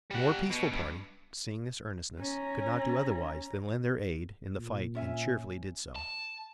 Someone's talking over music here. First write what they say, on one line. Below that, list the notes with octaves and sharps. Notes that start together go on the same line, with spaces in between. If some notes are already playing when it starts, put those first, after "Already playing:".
The more peaceful party, seeing this earnestness, could not do otherwise than lend their aid in the fight and cheerfully did so.
G3 F#5
B2
G2
C#4 A#5
A#2
C#4 E5 G#5
A5